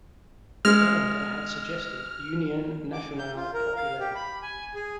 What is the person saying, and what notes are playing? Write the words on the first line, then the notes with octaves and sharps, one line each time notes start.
Bellemare had suggested "Union Nationale Populaire".
G#3 F6
D6
G6
F4
A#4
F5
G4
B5
G#5
G#4